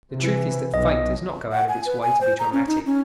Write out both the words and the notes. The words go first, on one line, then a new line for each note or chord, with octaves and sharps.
The truth is that Fate does not go out of its way to be dramatic.
C3 E3
B1 D#5
F#5
G#5
B4
G#5
C5
A#5
C#4
D#4
C#4